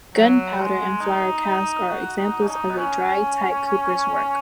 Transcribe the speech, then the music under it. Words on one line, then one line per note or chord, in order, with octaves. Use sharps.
Gunpowder and flour casks are examples of a dry-tight cooper's work.
F#3
G#3
D#4
D#4
F#4
D#4
C#4
D#4
B3
C#4